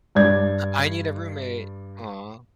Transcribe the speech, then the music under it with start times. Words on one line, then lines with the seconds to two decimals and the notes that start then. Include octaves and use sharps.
"I need a roommate." Aw.
0.15 G2 D5 G#6